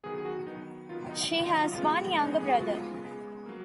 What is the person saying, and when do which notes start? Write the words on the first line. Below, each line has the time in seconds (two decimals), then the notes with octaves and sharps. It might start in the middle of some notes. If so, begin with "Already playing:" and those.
She has one younger brother.
0.03 D#3 F#3 B3 G#4
0.18 G#4
0.25 F#4
0.47 D#3 F#3 B3 D#4
0.89 D#3 F#3 B3 F4
1.11 D#4
1.32 D#3 F#3 B3
1.47 D#4
1.61 F4
1.75 C#3 G#3 B3 F4
2.18 C#3 G#3 B3 D#4
2.40 G#4
2.50 F#4
2.60 C#3 G#3 B3 F4
3.04 C#3 G#3 B3
3.46 F#3 A#3